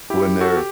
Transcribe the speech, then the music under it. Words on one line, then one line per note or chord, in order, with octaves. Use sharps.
when they're
E4 G4
F#4 A4
G4